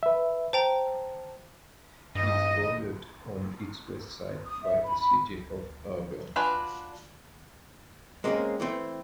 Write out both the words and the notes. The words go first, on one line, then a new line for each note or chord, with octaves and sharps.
It is bordered on its west side by the city of Auburn.
B4 E5
C5 G5 A5 A#5
G2 D#5
D#6
E5
B5
B5
D4 F4 F#4 B4 G#5
G#3 A#3 C4 C#4 A#4
E3 A3 C4